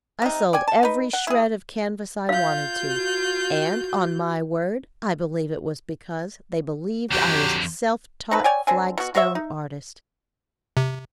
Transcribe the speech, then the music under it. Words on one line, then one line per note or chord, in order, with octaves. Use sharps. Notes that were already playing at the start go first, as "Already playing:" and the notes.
I sold every shred of canvas I wanted to; and, on my word, I believe it was because they believed I was a self-taught flagstone artist.
C3 D#4
D5 G5 G#5
A5
D#4 B4
F#5
E4 G#4
F4 F5 G6
F#4
F2 D3 F#3 G4
C4 D#4 A4 B4
C#5 D5 G5 G#5
D3 C4 G#5
B2 F#4
F#4 C5 C#5 E5
D#4
C3